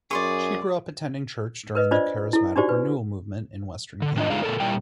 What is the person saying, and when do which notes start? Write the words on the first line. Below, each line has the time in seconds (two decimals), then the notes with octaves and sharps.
She grew up attending church during the charismatic renewal movement in Western Canada.
0.11 F#2 G#4 D5 C6 C#6
1.75 A#4 B4 D#5
1.91 D4 F4 C5 D5 D#5
2.33 E4 A4
2.56 D4 D#4 F#4 G4 C5 D5
2.69 B4
4.02 D3
4.16 D#3 D4 F4 D#5
4.30 D3 G#3 D#4 F4 G#4 F5
4.43 A#2 A4 A#4
4.60 A#2 G3 E4 G4 A#4 G5